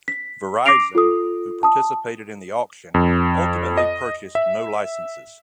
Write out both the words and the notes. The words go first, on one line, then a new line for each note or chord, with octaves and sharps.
Verizon, who participated in the auction, ultimately purchased no licenses.
B6
D6 A#6 C7 D7 F7
F4 A4 D#6
A5 D#6
F2
D#5
E5